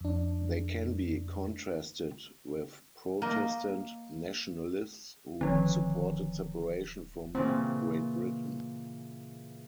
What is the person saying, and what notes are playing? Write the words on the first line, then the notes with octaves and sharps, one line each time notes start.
They can be contrasted with Protestant nationalists, who supported separation from Great Britain.
F2 D4
A#3 D#5
D1 D3 D#3 F3 C4
A#2 C#3 E3 C4